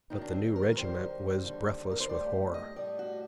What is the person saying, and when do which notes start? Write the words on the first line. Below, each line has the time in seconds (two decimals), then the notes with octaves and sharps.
But the new regiment was breathless with horror.
0.10 F#2 D#3 F#3 D#4
0.21 D4
0.32 C4
0.56 A#4
0.72 A#4
0.77 F#2 D#3 G3 C5
1.43 D#2 D3 G3
1.91 A#4
2.00 C5
2.09 A2 G3 D5
2.54 D#5
2.76 A2 G3 D5
2.99 F#4